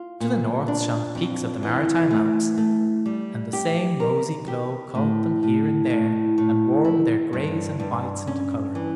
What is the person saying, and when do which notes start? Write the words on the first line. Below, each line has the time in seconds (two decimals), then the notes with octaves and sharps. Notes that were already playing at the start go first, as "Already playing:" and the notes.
To the north shone the peaks of the maritime Alps, and the same rosy glow caught them here and there, and warmed their grays and whites into color.
Already playing: F4
0.20 A#2
0.68 D4
1.15 F2
1.63 E3
2.11 A3
2.58 A3
3.06 G3
3.53 G4
4.00 A#4
4.48 G4
4.95 A2
5.43 A2
5.90 A2
6.38 A2
6.85 E4
7.33 G2
7.80 G2
8.27 C#4
8.75 E3